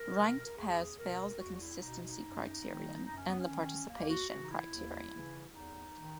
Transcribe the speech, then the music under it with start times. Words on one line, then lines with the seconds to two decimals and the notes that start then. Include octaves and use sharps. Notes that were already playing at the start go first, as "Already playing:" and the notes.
Ranked pairs fails the consistency criterion and the participation criterion.
Already playing: A#4
0.16 B2
0.45 A#4
0.56 E2 G#4
0.99 B2 A#4
1.40 E2 F#4
1.54 F#4
1.60 E4
1.81 B2 D#4
2.02 D#4
2.22 F#2
2.65 D#3
3.06 F#2 D#4
3.17 C#4
3.28 B3
3.40 C#4
3.47 D#3
3.88 D#2 A#3
4.09 F#4
4.29 C#3 E3 F#4
4.44 D#4
4.51 E4
4.71 D#2
5.12 C#3 E3
5.54 E2 D#4
5.95 D#3